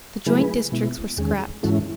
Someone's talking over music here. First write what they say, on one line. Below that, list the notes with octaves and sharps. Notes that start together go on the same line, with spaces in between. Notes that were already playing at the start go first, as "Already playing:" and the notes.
The joint districts were scrapped.
C#3 F#3 A3 E4 G#4 B4
B2 G#3 B3 E4
E2 D#3 G#3 C#4 G#4
G#2 E3 G#3 C#4 E4 F#4 A4